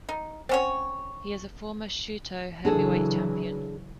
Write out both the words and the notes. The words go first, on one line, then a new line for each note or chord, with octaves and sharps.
He is a former Shooto Heavyweight Champion.
D#4
C4 C#4 C5 C#5 F#5
C#3 E3 F#3 D4 G#4 A4